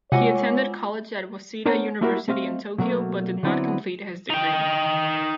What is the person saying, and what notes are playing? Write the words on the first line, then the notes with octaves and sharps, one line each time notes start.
He attended college at Waseda University in Tokyo but did not complete his degree.
C3 G#3 F4 C#5 F#5 G#5 D6 A#6
B3 D4 A#4 C5 C#5 A#5
A3 A#3 E4 F#4 G4 A#4
A3 C4 D#5 F5
B2 F#3 A3 A#3
D3 F#3 B3 C4 E4 D5
D#4 G5